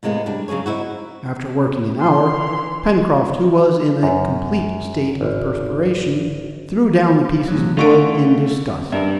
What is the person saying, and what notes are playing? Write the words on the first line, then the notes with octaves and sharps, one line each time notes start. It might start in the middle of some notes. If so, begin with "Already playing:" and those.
After working an hour, Pencroft, who was in a complete state of perspiration, threw down the pieces of wood in disgust.
A2 C3 G#3 A#3 B3
G3 D4
C#3 F#3 C#4 G#4 C#5
C4 D#4 E4 F#4
E3 C6
F#2
G#1
E2 A2 F#3
D3 A3 C#4 F4 C#6 D7
G2 A#4 E5